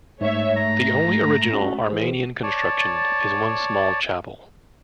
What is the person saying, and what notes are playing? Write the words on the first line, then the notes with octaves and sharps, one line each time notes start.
The only original Armenian construction is one small chapel.
G#2 A3 C#5 E5
A3 A#5
C#4 F#4
E3 G#4 C5
C#5 D5 A5